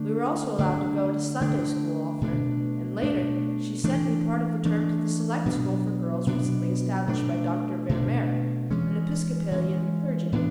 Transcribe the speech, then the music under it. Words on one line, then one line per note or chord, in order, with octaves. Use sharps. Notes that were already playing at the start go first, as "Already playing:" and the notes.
We were also allowed to go to Sunday school oftener, and later, she sent me part of the term to the select school for girls recently established by Dr. Ver Mehr, an Episcopalian clergyman.
Already playing: D3 A3 D4
D3 A3 D4
D3 A3 D4
B2 A3 D4
B2 A3 D4
E3 A3 D4
E3 A3 D4
B2 F#3 B3 D4
B2 F#3 B3 D4
B2 A3 D4
B2 A3 D4
E3 G#3 C#4
E3 G#3 C#4
A2 E3 B3 D4